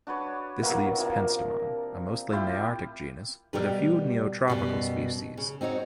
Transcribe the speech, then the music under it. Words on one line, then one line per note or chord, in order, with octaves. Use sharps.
This leaves "Penstemon" a mostly nearctic genus, with a few neotropical species.
D4 F#4 B4 C#5
E3 F#3 A#3 B3
C3 F3 A#3
A3 E4 F4 G4
B2 G3 G4 A#4 B4
F#2 B2 G3
C#3
C4 D#4 F#4 C#5